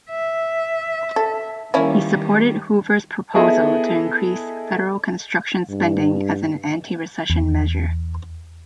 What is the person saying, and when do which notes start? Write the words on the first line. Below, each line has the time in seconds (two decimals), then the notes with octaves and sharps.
He supported Hoover's proposal to increase federal construction spending as an antirecession measure.
0.10 E5
1.16 A4
1.74 D#3 G3 A#3 C#4 E4
3.34 B3 E4 G#4 A4 D#5 E5
5.70 G2
7.30 E2